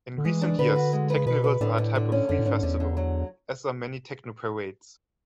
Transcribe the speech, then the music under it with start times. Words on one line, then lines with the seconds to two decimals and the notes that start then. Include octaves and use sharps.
In recent years, teknivals are a type of free festival, as are many technoparades.
0.18 D3
0.25 E3 G#3
0.41 D4
0.59 D3 B4
0.76 F#4
0.93 G#3
1.10 B4
1.17 C#3
1.26 B2 B4
1.44 B4
1.60 A2 D3
1.78 D3
1.95 D3
2.12 C#4
2.29 F#2 D3
2.39 A2
2.46 G#2 C#4
2.62 E2 D3
2.80 D3
2.97 F#3